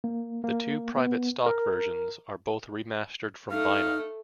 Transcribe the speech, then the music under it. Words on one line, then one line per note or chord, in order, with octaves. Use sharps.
The two Private Stock versions are both remastered from vinyl.
A#3
A#3
B3
A#4
A3 D#4 F5